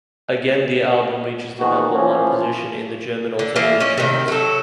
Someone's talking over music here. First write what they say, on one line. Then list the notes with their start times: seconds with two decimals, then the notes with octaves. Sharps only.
Again the album reaches the number one position in the German Alternative Charts.
1.60 E2 D#3 F3 B3 F#4 G#4
1.92 E3 F3 C#4
3.39 D3
3.56 E3 F3 A#3
3.80 C#4 D#5
3.97 C3 D#3
4.28 F#3 A4